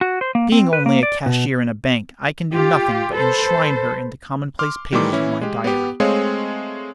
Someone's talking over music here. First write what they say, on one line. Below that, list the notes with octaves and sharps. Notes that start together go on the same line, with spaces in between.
Being only a cashier in a bank, I can do nothing but enshrine her in the commonplace pages of my diary.
F#4
C5
A#3
C4
B4
A#3
D5
B2
F4 G4
A4 B4 C5
C6 D6 F6
D#3 E3 G3 A3 C6 D6
E3 C#4 E4
G#3 G4
B3 G4
G#3 A3 C4 G#4 C#5 F5